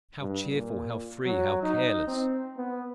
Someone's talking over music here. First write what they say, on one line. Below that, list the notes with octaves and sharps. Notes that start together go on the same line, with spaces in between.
How cheerful, how free, how careless!
G2
A#2
F#3
D#4
C4
B3